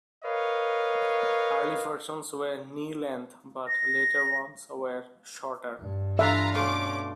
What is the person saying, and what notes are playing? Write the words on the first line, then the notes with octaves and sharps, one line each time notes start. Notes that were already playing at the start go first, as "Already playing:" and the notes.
Early versions were knee-length but later ones were shorter.
A#4 B4 C#5 D#5 F5
A#6
G2
E3 D4 F4 E5 F5 A#5
B2 A3 C#4 F4 D6